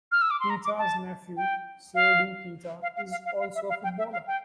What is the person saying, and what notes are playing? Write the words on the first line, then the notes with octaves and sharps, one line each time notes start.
Keita's nephew, Seydou Keita, is also a footballer.
F6
E6
D6
C6
A#5
D6
A5
G5
F5
F5
F5
F5
F5
F5
E5
F5
G5
E5
F5
G5